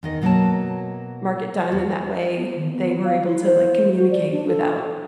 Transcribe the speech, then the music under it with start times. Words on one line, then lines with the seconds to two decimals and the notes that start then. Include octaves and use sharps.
mark it done, and that way, they were able to, like, communicate without
0.03 E2 D#3 D#5
0.22 B2 F#3 A#3 C#5 A5
1.72 E2
2.37 B3
2.56 D#3
2.73 B3
3.05 F5
3.26 E4
3.44 C5
3.97 F#4
4.11 D5
4.31 D4
4.47 A4